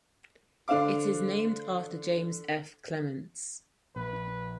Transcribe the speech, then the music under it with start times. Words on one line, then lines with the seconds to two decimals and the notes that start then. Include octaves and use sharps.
It is named after James F. Clements.
0.68 D3 D4 C5 F5 D6
3.96 A#1 B4